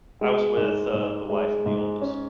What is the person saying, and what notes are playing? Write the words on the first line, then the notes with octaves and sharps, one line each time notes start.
I was with, uh, the wife and the oldest,
G#3
G#2
G#2
G#3
G#2
C#4